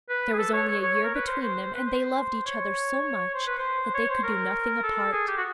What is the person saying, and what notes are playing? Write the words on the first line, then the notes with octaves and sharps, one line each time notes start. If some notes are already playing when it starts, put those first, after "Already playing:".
There was only a year between them, and they loved each other so much that they could do nothing apart.
B4
G#4
A4
C#5
C#5
C#5
A#4
B4
C5
C5
B4
C5
C#5
C5
B4
C5
C#5
C5
A#4
A4
G#4
G4
F#4